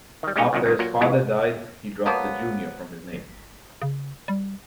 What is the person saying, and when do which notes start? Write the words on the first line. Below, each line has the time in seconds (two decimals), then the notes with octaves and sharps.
After his father died, he dropped the "Junior" from his name.
0.23 D#3 G3
0.36 G3 G#3 C#4 D#4 C#5
0.53 C2 F#2 A#2 D#3 F#3
0.66 C#2 D#3
0.79 A#2 F#3 A#3
1.01 F2 A#2 E3 G#3 E4
2.06 F3 F#3 A#3 B3
3.82 C#3
4.28 G3